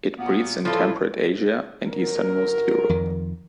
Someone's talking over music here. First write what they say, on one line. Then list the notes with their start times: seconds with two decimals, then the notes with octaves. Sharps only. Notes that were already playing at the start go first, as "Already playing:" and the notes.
It breeds in temperate Asia and easternmost Europe.
0.18 A#2 A#3 B3
0.65 A2 F3 G3 E4 F4 A4
1.86 G1 F#3 A#4
2.89 F2 D#3